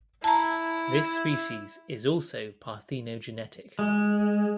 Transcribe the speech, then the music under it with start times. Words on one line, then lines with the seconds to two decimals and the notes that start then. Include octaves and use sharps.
This species is also parthenogenetic.
0.24 E4 A5 A#5
3.79 G#3